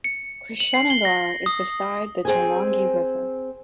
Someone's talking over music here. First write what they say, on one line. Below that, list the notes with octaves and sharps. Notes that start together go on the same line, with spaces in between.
Krishnanagar is beside the Jalangi River.
C#7
F#7
C7
G7
A#6
D#6
C4 G#4 C5 G#5